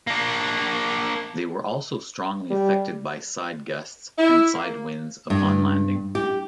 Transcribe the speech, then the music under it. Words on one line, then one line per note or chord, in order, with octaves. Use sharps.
They were also strongly affected by side gusts and side winds upon landing.
A#3 D4
G3
E4
A#3
G2
G4